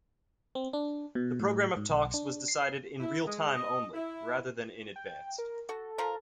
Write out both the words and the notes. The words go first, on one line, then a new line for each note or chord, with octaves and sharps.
The programme of talks was decided 'in real time' only, rather than in advance.
C4
D4
B2
A2
G#2
B1
D4
C7
E4
G#3
D#5
E4
G5
A#4
F#4 A4
F3 F4 A#4